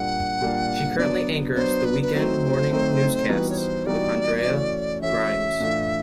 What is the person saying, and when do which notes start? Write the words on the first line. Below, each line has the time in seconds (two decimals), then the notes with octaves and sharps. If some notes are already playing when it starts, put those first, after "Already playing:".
She currently anchors the weekend morning newscasts with Andrea Grymes.
Already playing: A#2 G3 A#3 D4 F#5
0.41 A#2 G3 A#3 D4
0.98 F#3 B3 D4 D5
1.55 F#3 B3 D4 C5
1.85 B4
2.02 B4
2.13 F#3 A3 C4 D#4 F#4 C5
2.71 F#3 A3 C4 D#4 F#4
3.29 E3 G3 B3 D#4 F#4 B4
3.50 C#5
3.58 C5
3.86 E3 G3 B3 D#4 F#4 D5
4.44 E3 A3 C#4 F#4
5.01 E3 A3 C#4 F#4 E5
5.60 A2 E3 A3 D4 F4